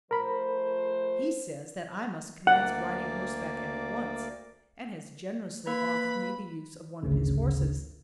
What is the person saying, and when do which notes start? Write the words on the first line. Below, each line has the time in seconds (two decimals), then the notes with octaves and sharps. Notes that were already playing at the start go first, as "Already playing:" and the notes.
He says that I must commence riding horseback at once, and has generously offered me the use of one of his horses.
0.11 F3 A3 A#4 C5 B5
2.47 D2 A#3 D5 F#5
5.67 A#3 B4 B5
7.03 G#1 D2 C#3